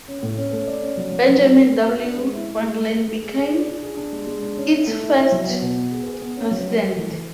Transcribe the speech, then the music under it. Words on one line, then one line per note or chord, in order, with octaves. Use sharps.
Benjamin W. Franklin became its first president.
C#4
A2
C#4
A3
D5
C#4
F#3
F#3
F#3
A3
A4
A4
F#4
D4
G#3
E4
E4
G#3
G#4
A3
A3
G#4
G#4
D5
D4
G#4
D4
G#3
G#3
D4
C#4
E4
A3
E4
E4
F#3
B3
B2
B3
G#4
G#4
B3
C#4
F#3
F#4
A3
E3
E3